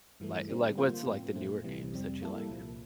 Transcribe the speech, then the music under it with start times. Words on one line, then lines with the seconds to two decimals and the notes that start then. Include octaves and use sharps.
like like, what's, like, the newer games that you like?
0.20 G2 E3 A3
0.49 D3 G3 C4
0.77 F3 A#3 F4 C5
1.06 A2 F3 C4
1.35 A#2 A3 C4
1.64 C2 C3 E3 G3
1.92 F2 C3 G3 C4
2.21 G3 A#3 E4 A4
2.50 C2 A#2 F3